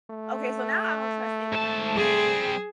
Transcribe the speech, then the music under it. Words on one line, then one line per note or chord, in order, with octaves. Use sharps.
"Okay, so now I don't trust anybody, like"
A3
G#2 A5
G3 C4 G#4